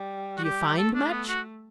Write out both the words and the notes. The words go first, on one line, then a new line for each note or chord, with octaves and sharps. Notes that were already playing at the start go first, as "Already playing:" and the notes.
"Do you find much?"
Already playing: G3
F#4
G4
G4
A3 A4
D4
B3
F#4